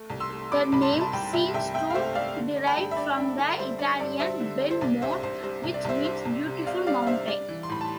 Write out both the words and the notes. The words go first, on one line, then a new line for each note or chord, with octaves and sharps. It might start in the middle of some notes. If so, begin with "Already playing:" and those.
The name seems to derive from the Italian "bel monte"," which means "beautiful mountain.
Already playing: A3
C2
C6 E6
A3
C3 B5 D6
C2 B5
A5 C6
C2
A5
C2 G5 B5
C2 E5 G5
C2 E5 G5
C3 E5 G5
F5
A3 C5 E5
A3 D5 F5
D3
D4
G5 B5
G2
E5
D4 D5
D4
D3
G3 C5
D4 D5
G2 D5
G2 C5 E5
D3
D4
C5
C2 D5
C3 C5 E5
C2 C5
G3 C5
C2
D5
C2 C5 E5
D4 C5 E5
C2
C3
C3 D5 F5
G3 D5 F5
F5
D4 C5 E5
G3 D5
E3
C6
A2 B5
A5